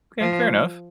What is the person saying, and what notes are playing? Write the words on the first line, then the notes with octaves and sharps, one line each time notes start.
Okay. Fair enough.
F3